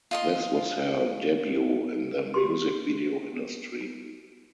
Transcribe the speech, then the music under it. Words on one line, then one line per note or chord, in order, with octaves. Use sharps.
This was her debut in the music video industry.
F4 D#5 C6
F#4 G4 C6